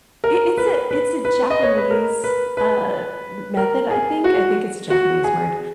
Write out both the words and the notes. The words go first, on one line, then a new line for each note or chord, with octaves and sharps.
it's a it's a Japanese, uh, m method, I think I think it's a Japanese word,
A#4
B4
B4
B4
D#5
C#5
B4
A#4
B4
B4
A#4
G#4
F#4
F#4
G#4